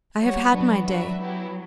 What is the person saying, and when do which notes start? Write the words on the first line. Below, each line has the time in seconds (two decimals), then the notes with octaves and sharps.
I have had my day.
0.21 G3 F#4 C#5 F#5
0.53 F#3 B3 D4 F#4 B4 D5
0.86 F#3 D4 F#4 B4 E5
1.18 F#3 B3 E4 G4